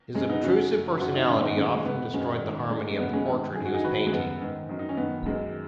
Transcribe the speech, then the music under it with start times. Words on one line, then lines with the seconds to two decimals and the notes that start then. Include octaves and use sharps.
His obtrusive personality often destroyed the harmony of the portrait he was painting.
0.15 F#2 C#3 G#3 C#4
0.29 B3 D#4
0.43 F#2 C#3 C#4 F#4
0.71 F#2 C#3
1.00 F#2 D#3 F#4
1.14 D#4
1.27 G#2 D#3 C#4
1.40 B3 D#4
1.56 F#2 D#3 G#3 C#4
1.75 G#3
1.86 G#2 D#3 B3
2.14 F#2 D#3 G#3 C#4
2.42 G#2 D#3
2.70 G#2 D#3 G#3
2.91 G#3
2.99 F#2 C#3 B3
3.13 G#3 C#4
3.27 G#2 D#3
3.55 F#2 D#3 G#4
3.65 F#4
3.74 D#4 G#4
3.84 G#2 D#3 F#4 B4
4.07 G#3
4.13 F#2 C#3 B3
4.41 G#2 D#3
4.69 F#2 D#3
4.79 D#4
4.89 C#4
4.97 F#2 D#3 B3
5.26 F#2 D#3 G#3